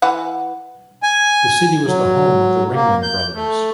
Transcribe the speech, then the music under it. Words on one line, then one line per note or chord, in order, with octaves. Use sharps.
The city was the home of the Ringling Brothers.
E3 B4 F#5
G#5
F#3
A#3
G6
A3